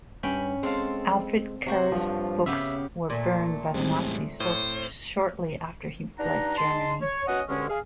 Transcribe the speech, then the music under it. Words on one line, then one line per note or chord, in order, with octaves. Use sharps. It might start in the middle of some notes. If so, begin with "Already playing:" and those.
Alfred Kerr's books were burned by the Nazis shortly after he fled Germany.
G2 C#4 G5 B5
G#3 C4 A4 F5
C3 F#3 F#4 C5
G2 F3
C#3 B3 G4 E5
A#2 A3
E2 A2 G3 G#3 C4
A2 C5 C#5 D#7
G2 D4 D#4 F#5 A#5
G#3 D#4 A5 C6
C#5
B3 C#4 F#4 D#5 F#5
D2 G2 D3 G#3 C#4
G#4 F5